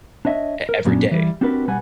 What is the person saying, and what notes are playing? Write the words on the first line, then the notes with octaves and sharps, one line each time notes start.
e every day.
D4 C#5 D#5 E5
A#4
F#2 A#2 F#3 B3 C#4 D4
E3 G3
C4 D4 F#4 G4 A#4 B4
B1 G3 B4 F#5 G#5